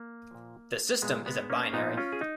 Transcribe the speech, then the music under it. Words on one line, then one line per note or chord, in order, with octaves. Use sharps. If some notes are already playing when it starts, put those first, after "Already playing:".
The system is a binary.
Already playing: A#3
A#2 F3
A#2 F3 G#3 B3
G#3 B3
A#3 C#4
A#2 F3 B3 D#4
C#4 F4
G#4
D#4